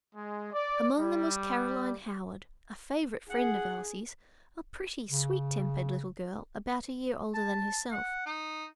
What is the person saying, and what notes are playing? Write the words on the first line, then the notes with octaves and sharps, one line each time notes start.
Among them was Caroline Howard, a favorite friend of Elsie's; a pretty, sweet-tempered little girl, about a year older than herself.
G#3
D5
G3
G#4 F#5
C#3
A5
F#5
D#4